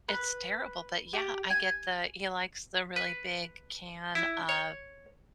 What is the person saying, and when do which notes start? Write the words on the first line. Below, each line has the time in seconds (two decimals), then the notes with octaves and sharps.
it's terrible. But, yeah, I get the he likes the really big can of,
0.08 B4
1.13 G4
1.50 G#5
2.96 B4
4.15 E4
4.49 C#5